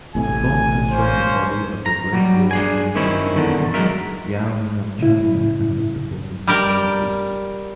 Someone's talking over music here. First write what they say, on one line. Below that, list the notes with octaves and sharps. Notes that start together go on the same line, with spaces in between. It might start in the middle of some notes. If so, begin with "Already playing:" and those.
The form has shown the body of the Great Wall in Jinzhou, Liaoning of China and the supporting facilities.
A1 A2 C3 G#5
A#3 C#4 C5
A#5
F#3 G3
D4 G#4 G#5
D#3 C4 C#4 E4
E2 D3 D#3
F#3 G#3 A#4 E5
A2 C#3 E4
G3 G4 A#4